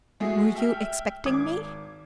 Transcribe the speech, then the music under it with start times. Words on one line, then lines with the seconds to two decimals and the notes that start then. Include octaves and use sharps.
"Were you expecting me?"
0.20 G#3 A3 F#4 G#4
0.55 E5 G5 F6
1.26 G#1 D6 G#6